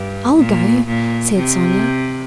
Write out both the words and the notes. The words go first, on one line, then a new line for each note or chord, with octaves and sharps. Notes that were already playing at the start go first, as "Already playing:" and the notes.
"I'll go," said Sonya.
Already playing: G2
A#2
A#2
C3